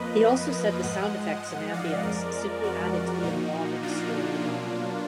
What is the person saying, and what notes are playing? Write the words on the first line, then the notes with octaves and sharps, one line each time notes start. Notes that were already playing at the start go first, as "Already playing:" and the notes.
He also said the sound effects and ambience simply added to the involving storyline.
Already playing: F2 F3 A#3 B4 D#5
G#2 F3 G#3 D#5 F#5
D#5 F#5
D5 F5
F2 F3 G#3 A#4 D5
F#4 A#4
A#2 F3 A#3 D#4 F#4
D4 F4
B2 F#3 A#3